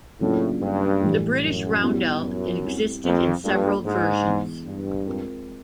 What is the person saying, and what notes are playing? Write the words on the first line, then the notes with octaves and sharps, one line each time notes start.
The British roundel existed in several versions.
A2 C#3 F#3 A#3 D4 F4
G2
A2 E3 G3
F#2
G3 B3 E4
F#2
G3 C4 E4
F2
G2 A#3 D4 F4 A4
G#2
E3 G#3 B3
G2
G#3 C4 F4 A#4